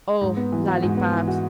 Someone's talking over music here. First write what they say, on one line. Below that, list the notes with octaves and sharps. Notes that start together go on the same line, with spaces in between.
Oh, lollypops!
G#2
B3
E3
F#4
G#2
B3
E3
F#4